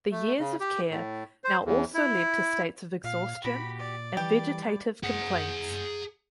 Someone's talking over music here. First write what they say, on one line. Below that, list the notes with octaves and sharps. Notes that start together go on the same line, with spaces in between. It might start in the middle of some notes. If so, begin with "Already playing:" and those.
The years of care now also led to states of exhaustion and vegetative complaints.
A3
C#3
G4
A2
C5
E2
E4
A#2 F5
A#2 F#4 G4 B5
D5
E3 G3 G4
G#4 F#5